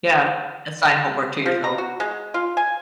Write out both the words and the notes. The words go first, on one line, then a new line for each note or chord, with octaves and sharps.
Yeah. Assign homework to yourself.
F3
A#5
F#4
G#3
F4
G#5